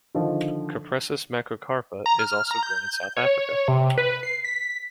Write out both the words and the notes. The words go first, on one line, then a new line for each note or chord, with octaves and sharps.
"Cupressus macrocarpa" is also grown in South Africa.
D3 D#3 F3
A#5
F6
A#5
G6
C#5
C3
B4
C7
B6